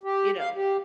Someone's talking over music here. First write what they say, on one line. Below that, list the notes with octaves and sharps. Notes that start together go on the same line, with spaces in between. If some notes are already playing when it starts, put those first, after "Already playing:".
You know?
G4
F5
G4